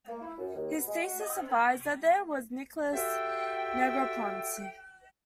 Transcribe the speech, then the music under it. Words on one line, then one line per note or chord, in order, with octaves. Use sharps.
His thesis advisor there was Nicholas Negroponte.
A#3
E4
F#2
D#2
B2
G#3
F#4
D#5
C4
A#4
F#4 G4 A4 C5 E5 G5